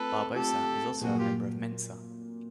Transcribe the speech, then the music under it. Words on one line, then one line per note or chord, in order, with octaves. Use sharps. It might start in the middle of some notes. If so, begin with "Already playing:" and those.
Barbosa is also a member of Mensa.
Already playing: A3 C4 F4 A4 B4
A3 C4 F4 G4 A4
A#2 F#3 A#3 F#4 G#4
F4 G4